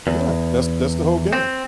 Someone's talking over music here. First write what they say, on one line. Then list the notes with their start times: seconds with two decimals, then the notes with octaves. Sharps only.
Yeah, that's that's the whole game.
0.07 E2
1.33 C4